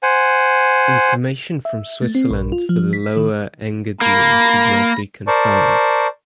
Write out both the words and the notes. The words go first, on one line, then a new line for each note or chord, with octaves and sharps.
Information from Switzerland for the Lower Engadine could not be confirmed.
C5 F#5 G#5
E5
A3
C4
A#1
F4
F3
B6
D#3
A#3 B5 A#6
A#4 C5 D5 A5 C#6